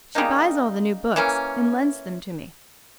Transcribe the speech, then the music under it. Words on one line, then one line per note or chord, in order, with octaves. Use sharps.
She buys all the new books and lends them to me.
C#3 G3 A#3 D#4
E3 A#3 C#4